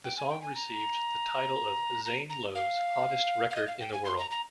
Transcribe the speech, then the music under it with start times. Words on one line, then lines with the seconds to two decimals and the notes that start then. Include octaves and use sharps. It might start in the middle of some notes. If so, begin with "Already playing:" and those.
The song received the title of Zane Lowe's "Hottest Record in the World".
0.05 G5
0.18 G#5
0.30 G5
0.42 G#5
0.55 A#5
2.05 A#5
2.30 A#5
2.55 F5
3.50 F5
3.56 D#5
3.67 F5
3.80 G5
3.93 G#5
4.05 C6
4.19 A#5
4.31 A#5